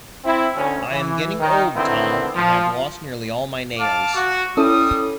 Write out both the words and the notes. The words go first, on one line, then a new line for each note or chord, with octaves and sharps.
I am getting old, Tom, and have lost nearly all my nails.
C4 E4
D2 C#4
E3
D#3
D3 D#3 B3 C4 E4
F3
F5 A5 D6
F#4
G3 C#4 E4 A4 D#6